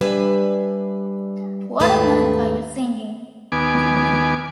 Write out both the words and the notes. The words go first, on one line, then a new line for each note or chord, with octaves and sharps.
What on earth are you singing?
G3 D4 B4 E5 G#5
D#2 G#2 A3 A#3 B4 A5
D#2 B3 G#5 D6